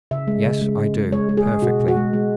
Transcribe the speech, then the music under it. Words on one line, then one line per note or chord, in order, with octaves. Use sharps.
Yes; I do, perfectly.
C#3 E5
G#3
C#3
G#3
C#3
G#3
G#3 C#5
G#3
G#4
G#3
B2 F#4
B2
F#4
G#3
G#3